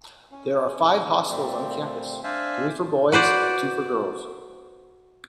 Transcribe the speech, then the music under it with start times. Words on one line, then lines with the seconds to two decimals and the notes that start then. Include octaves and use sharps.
There are five hostels on campus, three for boys and two for girls.
0.31 C#4
1.30 A#2 G3 A3 C4
2.24 D4 C5 D5 E5 F5 G#5
3.12 F#4 B4 C5 D5